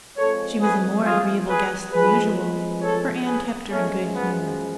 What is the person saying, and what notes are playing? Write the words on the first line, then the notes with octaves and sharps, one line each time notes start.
She was a more agreeable guest than usual, for Anne kept her in good humor.
F2 F3 G#3 A4 C#5
G#4 B4
F4 G#4
G#4 B4
F2 F3 G#3 G#4 B4
A4 C#5
G#4 B4
F#2 F3 G#3 A3 C#4
B3